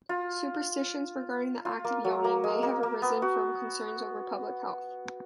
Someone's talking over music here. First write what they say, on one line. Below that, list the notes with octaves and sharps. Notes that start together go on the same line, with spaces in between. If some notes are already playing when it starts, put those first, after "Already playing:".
Superstitions regarding the act of yawning may have arisen from concerns over public health.
F4
F4
A#3
F#3
A#3
G#3
A#3
A#3
B3
F#4